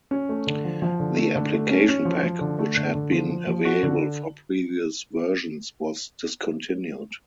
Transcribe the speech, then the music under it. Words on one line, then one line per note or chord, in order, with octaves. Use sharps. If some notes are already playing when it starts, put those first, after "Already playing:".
The Application Pack which had been available for previous versions was discontinued.
C#4
A3
D3
F3
F3
D3
A3
D3
A3
C#4
C#4
F3
F3
D3
A3
D3
D3
F3
F3
F3
F#4
D3